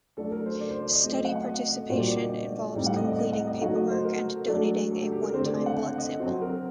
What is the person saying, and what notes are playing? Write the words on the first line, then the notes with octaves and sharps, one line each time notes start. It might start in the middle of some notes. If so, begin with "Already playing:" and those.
Study participation involves completing paperwork and donating a one-time blood sample.
F#3 A3 D4 F#4 A4
A#4
C5
D5
C5
D5
D#5
F#3 A3 C4 D#5
D#5
F#5
F#5
D#5
D#5
A#2 G3 A#3 D4 F#4 C5
D5
D5
D#5
A2 G3 C4 D#4 A4
F#5
D#5
D5
D#5
F#5
D#5
F#3 A3 D#4 F#4 F#5
D#5
C5
A#4
F#3 A3 D4
A4
G4
G4
A#4
D3 A3 C4 C5
D5
D5
F#5
F#5
D#5
F#3 C4 F#4 C5
A#4